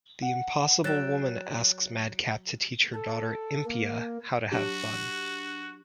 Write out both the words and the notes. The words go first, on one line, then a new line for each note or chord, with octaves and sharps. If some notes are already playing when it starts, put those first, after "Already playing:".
The Impossible Woman asks Madcap to teach her daughter Impia how to have fun.
F#5
F#3 G5 F#6 A6 E7
A4
A#3
F#3 D4 F#4 G4